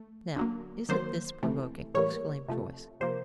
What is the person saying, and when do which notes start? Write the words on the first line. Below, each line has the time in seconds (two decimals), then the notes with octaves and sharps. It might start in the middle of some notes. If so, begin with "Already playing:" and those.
"Now isn't this provoking!" exclaimed Joyce.
Already playing: A3
0.36 D3 F#3 A#3
0.89 D#3 F#3 A#3 C5
1.43 C3 E3 A3
1.94 A2 E3 G3 A#3 C#5
2.49 C3 F3 A3
3.00 C3 F3 A#3 C5